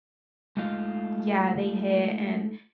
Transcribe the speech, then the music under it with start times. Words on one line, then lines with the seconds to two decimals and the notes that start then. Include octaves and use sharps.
Yeah, they hit and, uh,
0.57 G#3 A3 D#4 F4 D#5 F5